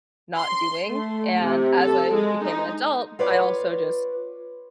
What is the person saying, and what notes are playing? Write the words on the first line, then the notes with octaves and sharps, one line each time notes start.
not doing and as I became an adult, I also just
C6
A3
C3
A4
G#3
D#4
F4 B4 C#5 D5